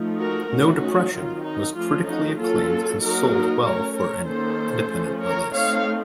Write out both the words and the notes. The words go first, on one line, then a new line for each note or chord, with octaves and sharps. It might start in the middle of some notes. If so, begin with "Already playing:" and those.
"No Depression" was critically acclaimed and sold well for an independent release.
Already playing: F3 A3 D#4
F#4 A#4
A3 C#4 D#4 F#4
D#3 F#3 C4 F4
D#4
F3 A3 C#4 F4
D#4 F#4
F#3 A#3 C#4 F4 A4
F#3 A#3 D#4 F#4 A#4
A3 C#4 A#4 C#5
A#4 C#5
D#3 A#3 C#4 A4 C5
F3 A3 C#4
A#4 C#5
A3 C4 D#4 C#5 F5